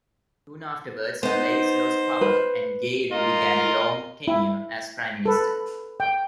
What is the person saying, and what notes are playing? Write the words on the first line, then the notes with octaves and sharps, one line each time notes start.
Soon afterwards, Blaize lost power and Gairy began a long tenure as Prime Minister.
B3 D#4 C5
B4
F4 A#4 D#5
E4
A4 B4
G5